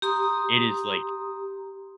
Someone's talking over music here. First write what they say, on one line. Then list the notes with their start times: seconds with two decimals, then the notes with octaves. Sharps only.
it is, like,
0.02 G4 A#5 C6 D#6